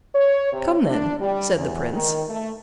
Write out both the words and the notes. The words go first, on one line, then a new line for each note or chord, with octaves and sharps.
"Come, then," said the prince.
C#5
C3
D4
G3
E2
D#3
A3